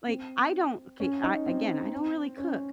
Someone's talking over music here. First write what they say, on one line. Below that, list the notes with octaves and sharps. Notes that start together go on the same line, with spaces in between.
like, I don't, okay I again, I don't really cook,
C4
C#4
D#4
C4
C#4